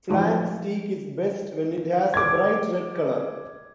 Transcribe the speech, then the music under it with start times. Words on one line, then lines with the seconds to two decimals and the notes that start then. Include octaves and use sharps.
Flank steak is best when it has a bright red color.
0.09 E3 F3 G#3 D#4
2.14 D6 G#6